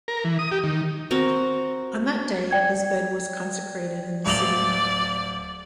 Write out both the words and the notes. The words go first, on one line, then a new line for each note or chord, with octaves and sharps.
On that day, his bed was consecrated in the city.
A#4
E3
D#6
G4
D#3
C4 F#4 A#4
D5 G5 G#6
D1 D5 F7 F#7